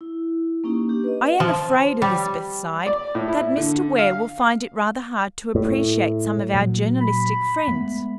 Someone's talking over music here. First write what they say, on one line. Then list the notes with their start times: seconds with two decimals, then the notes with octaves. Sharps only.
"I am afraid," Elizabeth sighed, "that Mr. Ware will find it rather hard to appreciate some of our journalistic friends."
0.01 E4
0.64 A#3 C#4 D#4 G4
0.89 D4 G4
1.04 B4 D#5
1.40 F3
2.02 G3
2.87 D5
3.15 A2
3.28 E4
3.57 D3
3.98 F5
5.55 A2
6.54 A#2 F#3
7.01 B5
7.68 G#3 A3 B3